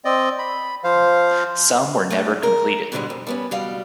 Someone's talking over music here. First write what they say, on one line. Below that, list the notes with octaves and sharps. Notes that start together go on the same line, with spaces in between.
Some were never completed.
C4 D5 D#5
B5
F3 C5 F5
A3 C#4 D4
A#4
G#2 B2 D3 D#3 G3 G#3
F2
G3 B3 C#4
B2 G3 F5